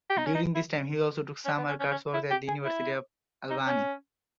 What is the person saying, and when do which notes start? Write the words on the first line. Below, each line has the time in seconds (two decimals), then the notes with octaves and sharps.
During this time he also took summer coursework at the University at Albany.
0.10 G4
0.18 D#4
0.26 C#4
0.35 D#4
0.55 E4
1.45 C#4
1.57 B3
1.68 C#4
1.80 C#4
1.91 C#4
2.14 E4
2.31 G4
2.48 G#4
2.65 E4
3.50 D#4
3.67 C#4